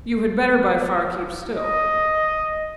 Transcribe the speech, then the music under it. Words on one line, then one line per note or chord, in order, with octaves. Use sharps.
You had better by far keep still.
D#5